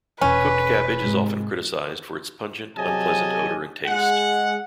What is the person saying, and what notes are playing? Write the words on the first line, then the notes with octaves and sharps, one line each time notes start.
Cooked cabbage is often criticized for its pungent, unpleasant odor and taste.
E1 C#4 B4
G#2 C3 G#3
C3 F#3 G#4 D#5 G#5 A5
G#3 F#5